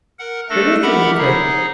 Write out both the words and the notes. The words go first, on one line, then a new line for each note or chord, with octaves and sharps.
Spiritually quick.
A#4 F#5
A3 D4 A4 A#6
G4 A#4 E5 F#5 B5
D#4 G#4